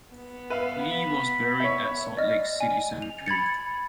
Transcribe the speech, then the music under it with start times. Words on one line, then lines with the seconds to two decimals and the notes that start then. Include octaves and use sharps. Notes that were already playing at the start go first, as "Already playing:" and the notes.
Lee was buried at Salt Lake City Cemetery.
0.16 B3
0.50 B4 E5 F5
0.91 B5
1.60 C#5 E5
2.17 D5 D#5 F6
2.60 G#5
3.02 F7
3.26 B5 G#6 A6 C#7